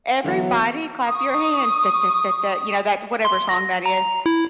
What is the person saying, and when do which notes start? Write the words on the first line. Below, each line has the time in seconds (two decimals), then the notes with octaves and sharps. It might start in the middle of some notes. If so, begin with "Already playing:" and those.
"Everybody clap your hands, da da da da," you know, that's whatever song that is,
0.24 D3 E3 F#3 B3
1.07 C#6 D#6
3.25 C6
3.49 A#6
3.86 A#5
4.26 E4